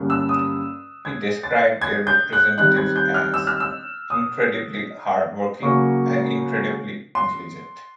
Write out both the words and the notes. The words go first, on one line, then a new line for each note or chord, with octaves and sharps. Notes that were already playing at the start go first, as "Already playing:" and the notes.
He described their representatives as "incredibly hard-working and incredibly intelligent".
Already playing: G2 D3 G3 A#3 C#4
E6
D#6
G#6
A6
G#6
G6
F#6
D#3 G3 C4 D#4 F#6
G#6
G6
F6
E6
F6
E6
D#6
C#3 F#3 A#3 C#6
C6